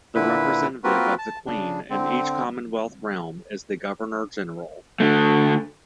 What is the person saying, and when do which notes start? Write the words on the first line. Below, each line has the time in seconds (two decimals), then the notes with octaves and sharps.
The representative of the Queen in each Commonwealth realm is the governor-general.
0.15 A#2 D3 E4 B4
0.84 A#3 C4 F4 F#4 A#4 B4
1.19 A5
1.47 C#3 D4
1.90 D3 C4
5.00 D3 A3